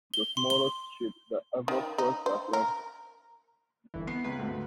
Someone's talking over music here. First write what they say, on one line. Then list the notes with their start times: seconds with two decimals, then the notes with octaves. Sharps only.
The Smallest Ship that Ever Crossed the Atlantic!
0.14 G7
0.37 C6
0.50 G7
1.68 D#3
1.98 D#4
2.26 C5
2.53 A#4
3.94 G1 E3
4.07 B3 C7
4.24 C#2 B4
4.39 D2 G#2